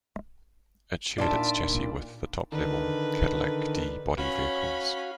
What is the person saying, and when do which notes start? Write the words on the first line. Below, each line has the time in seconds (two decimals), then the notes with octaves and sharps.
It shared its chassis with the top-level Cadillac D body vehicles.
1.18 A#2 D4 D#4 F4 D5 E5 A5 B5
2.52 D3 D#3 B4
4.18 C#4 F#4 F5 B5